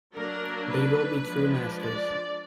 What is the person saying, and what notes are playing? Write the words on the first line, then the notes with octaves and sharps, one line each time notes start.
They will be true masters.
F#3 A#3 D4 A#4
B4
F3 G#3 D4
D5